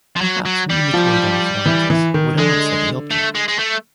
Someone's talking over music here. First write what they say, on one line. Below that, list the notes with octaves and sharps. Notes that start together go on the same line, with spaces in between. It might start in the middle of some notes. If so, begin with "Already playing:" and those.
Perhaps rheumatoid arthritis would answer the object.
F3
F#3
F#3
G3
F3
E3
E3
D#3
D3 G#3
A3
G#3
G#3
A3